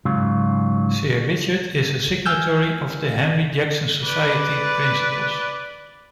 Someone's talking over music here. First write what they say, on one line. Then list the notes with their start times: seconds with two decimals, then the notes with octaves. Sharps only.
Sir Richard is a signatory of the Henry Jackson Society principles.
0.05 G#2 C#3 F#3 F4
2.26 G#5 E6 F6 G6
4.06 B4 D5